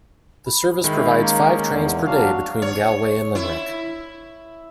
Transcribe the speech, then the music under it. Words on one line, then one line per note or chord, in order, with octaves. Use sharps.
The service provides five trains per day between Galway and Limerick.
B5
D#3 G#3 E5 B5
A#3 C#4 A#5
E2
F#3 D4 F#4 F5 F#5
C#5
E4